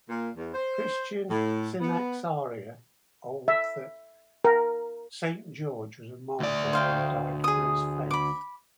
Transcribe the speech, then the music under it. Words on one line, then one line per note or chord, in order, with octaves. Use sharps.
Christian synaxaria hold that Saint George was a martyr who died for his faith.
A#2
E2
C5
A2
B3
E5
A#4
D2 D5
C5 F5 G5
G#4 D#6
B5 D6